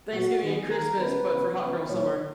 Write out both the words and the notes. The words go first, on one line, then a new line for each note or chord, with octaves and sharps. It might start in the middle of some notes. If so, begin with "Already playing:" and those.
Thanksgiving and Christmas, but for hot girl summer.
A#2 F#3 B3 F#4
D#3 G#3 B3 G#4
D#3 A#3 A#4
C#3 G#3 B3 B4
C#3 E3 G#3 B3
C#3 E3 G#3 B3 B4
A#2 F#3 A#3 C#5